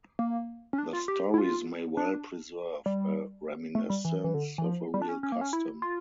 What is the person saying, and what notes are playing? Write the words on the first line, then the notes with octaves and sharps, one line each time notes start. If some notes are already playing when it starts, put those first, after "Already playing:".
The stories may well preserve a reminiscence of a real custom.
A#3
C#4
D4
F4
G4
E4
F4
D4
G3
A3
G3
E3
E3
D3
E3
F3
G3
D4
C#4
C#4
A#3
C#4
E4
F4